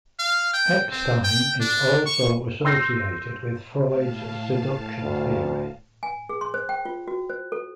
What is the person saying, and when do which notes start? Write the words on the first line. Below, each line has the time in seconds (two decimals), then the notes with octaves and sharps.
Eckstein is also associated with Freud's seduction theory.
0.19 F5
0.53 G5
0.92 C4
1.24 G5
1.61 D4
2.06 C#6
2.65 C6 E6 G6 A#6 C7
3.86 A2 F5 A5
5.02 D2
6.03 G#5
6.29 G#4
6.41 C6
6.54 C5
6.69 G5
6.85 F4
7.08 F#4
7.30 C5
7.52 A4